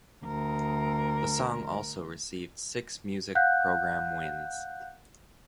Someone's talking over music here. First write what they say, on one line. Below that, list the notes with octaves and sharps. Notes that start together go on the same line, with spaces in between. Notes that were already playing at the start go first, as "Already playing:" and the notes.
The song also received six music program wins.
D2 A#4
F5 F#5 F#6 G6